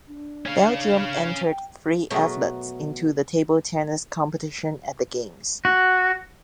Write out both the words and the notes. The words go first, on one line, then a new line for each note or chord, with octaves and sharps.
Belgium entered three athletes into the table tennis competition at the games.
D4
C#4 F5
G5
B2 F#3 A3 A#4
F#4